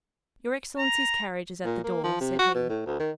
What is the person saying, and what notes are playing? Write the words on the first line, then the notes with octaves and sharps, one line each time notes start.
"Your excellency's carriage is at the door," said he.
A#5
A#2
A#3
F3
C3
F#4
B2
A2
D2
D#3